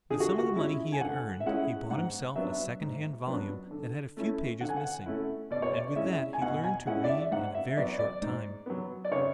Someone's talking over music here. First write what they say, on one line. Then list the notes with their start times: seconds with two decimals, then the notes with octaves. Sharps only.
With some of the money he had earned, he bought himself a secondhand volume that had a few pages missing, and with that he learned to read in a very short time.
0.10 D3 G#4
0.20 F#4
0.38 F#4
0.56 G#3 C#4 E4
0.92 G#5
1.01 D3 F#5
1.40 E5
1.46 G#3 C#4 E4 F#5
1.90 G#2 F#5
2.36 F#3 B3 D4 E5
2.81 G#2
3.27 F#3 B3 D4
3.71 D3
4.17 A3 C#4 E4
4.61 D3 F#5
4.69 G#5
4.77 F#5
5.06 A3 C#4 E4
5.51 B2 D5
5.62 C#5
5.73 D5
5.96 G#3 C#4 E4 E5
6.33 G#5
6.42 B2 F#5
6.64 G#5
6.86 G#3 C#4 E4 F#5
7.04 D5
7.09 E5
7.31 G#2 F#5
7.55 E5
7.77 F#3 B3 D5
7.99 D5
8.22 G#2
8.66 F#3 B3
9.05 D5
9.12 C#3 C#5